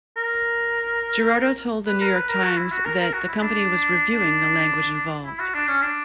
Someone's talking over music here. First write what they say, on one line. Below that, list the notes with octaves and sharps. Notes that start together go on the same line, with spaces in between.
Girardo told the "New York Times" that the company was "reviewing" the language involved.
A#4
B4
A#4
B4
A#4
F#4
E4
F#4
A#4
A#4
F#4
F#4
E4
D4
D4
E4
F#4
D4
C#4
D4